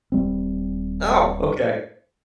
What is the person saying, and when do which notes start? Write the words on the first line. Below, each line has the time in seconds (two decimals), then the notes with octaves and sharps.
Oh, okay.
0.12 D#1 G3 C4